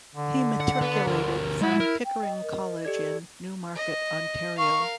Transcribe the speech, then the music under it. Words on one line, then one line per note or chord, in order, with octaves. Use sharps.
He matriculated from Pickering College in Newmarket, Ontario.
D3
F#5
B3
D2 A#4
G#3 E4 F#5
A#4
G5
D#5
A#4
G4 A4 D5 G#6
D#5
A#4 F5 C#6